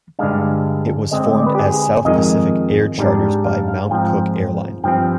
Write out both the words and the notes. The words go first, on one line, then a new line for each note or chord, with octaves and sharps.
It was formed as South Pacific Air Charters by Mount Cook Airline.
G2 D3 G#3 D4 F5
D3 G#3 C4 D#5
D#5
D5
B4
G4
G#4
F2 D#3 G#3 D#5
G#2 G3 D4
F5
F5
G#2 F3 C4 G5
G2 F3 C4 G5